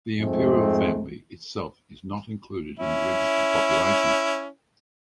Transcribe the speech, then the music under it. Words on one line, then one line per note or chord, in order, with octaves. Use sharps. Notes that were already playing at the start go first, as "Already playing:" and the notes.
The Imperial family itself is not included in the registered population.
F2 G#2 G#3 A3 C4
C#4 E4